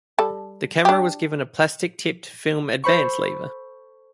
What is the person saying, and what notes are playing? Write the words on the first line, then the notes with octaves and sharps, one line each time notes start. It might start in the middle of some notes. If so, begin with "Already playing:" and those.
The camera was given a plastic tipped film advance lever.
G3 A4
D4 G4
A4 C5 B5 C#6